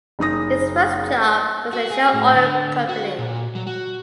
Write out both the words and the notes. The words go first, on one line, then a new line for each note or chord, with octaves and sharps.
His first job was at Shell Oil Company.
F#1 D#4 D#6 A#6
F#4
G#4
A2
D3
F#4
A#2
F#3
F#4